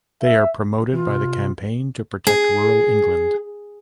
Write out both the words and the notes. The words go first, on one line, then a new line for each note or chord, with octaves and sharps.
They are promoted by the Campaign to Protect Rural England.
E5
E3 F4
C3
G#4